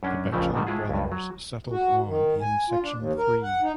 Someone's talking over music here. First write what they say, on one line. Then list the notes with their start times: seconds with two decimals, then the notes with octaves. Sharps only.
The bachelor brothers settled on in section three.
0.03 F#2 C#4 D4
0.32 A#1 F2 C#3 F3 A3
0.54 G#2 D3 D#3 G3
0.67 A2 G#3 E4 F4 G#4
0.89 C#2 G2
1.12 F#3
1.70 F#4
2.07 D#3
2.41 G#5
2.70 F4
2.82 D4
2.95 D#2
3.17 A#4
3.43 F#5
3.62 D#4